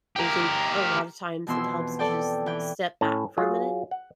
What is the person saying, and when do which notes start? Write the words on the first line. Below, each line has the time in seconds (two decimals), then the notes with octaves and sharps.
I think a lotta times it helps to just step back for a minute
0.16 G4 A#4
1.47 F2 B2 E3 C6 E6
1.99 A4 D5 G5
2.46 E3 G5
3.01 A2 C#4 A5
3.38 F#3 F4 G#4
3.91 F#5